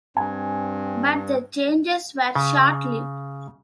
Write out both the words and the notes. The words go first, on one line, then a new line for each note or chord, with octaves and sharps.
But the changes were short-lived.
G2 C4 G#5
C#3